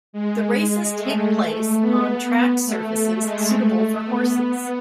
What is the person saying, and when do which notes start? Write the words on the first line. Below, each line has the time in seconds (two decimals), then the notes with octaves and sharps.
The races take place on track surfaces suitable for horses.
0.13 G#3
0.69 G#3
0.97 A3
1.81 B3
2.65 A3
2.93 A3
3.21 G#3
3.49 A3
4.05 B3